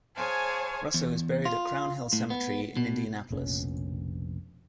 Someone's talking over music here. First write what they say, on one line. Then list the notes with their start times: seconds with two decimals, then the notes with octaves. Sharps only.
Russo is buried at Crown Hill Cemetery in Indianapolis.
0.15 G#4 C5 C#5 F5 G#5 A5
0.94 E2
1.45 F4
2.13 A2
2.30 B3
2.77 B2
3.31 F1 A#1 B2 C#4